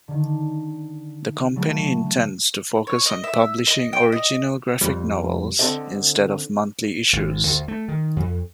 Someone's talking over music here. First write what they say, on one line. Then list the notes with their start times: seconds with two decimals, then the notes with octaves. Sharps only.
The company intends to focus on publishing original graphic novels instead of monthly issues.
0.08 D3 D#3
1.56 C#3 F#3 A3
2.87 C#5
3.06 D#5
3.24 E5
3.67 D#5
3.93 G5
4.12 D#5
4.81 F2 G3
5.59 D3 C4 A4 D5 D#5
7.13 G#1
7.47 D2
7.68 A3
7.88 D#3
8.16 F2